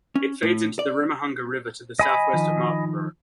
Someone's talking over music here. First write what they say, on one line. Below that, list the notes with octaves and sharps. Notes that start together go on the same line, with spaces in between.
It feeds into the Ruamahanga River to the southwest of Martinborough.
C#4
A2
D5
D#5 G#5 B5
D#3 F3 D#4